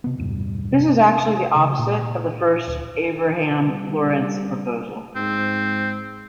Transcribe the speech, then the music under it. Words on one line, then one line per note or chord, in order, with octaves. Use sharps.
This is actually the opposite of the first Abraham-Lorentz proposal.
C3 B3
A1 E2 G2 C3
C3
C#3
A#2
D1
G3
G#2 C4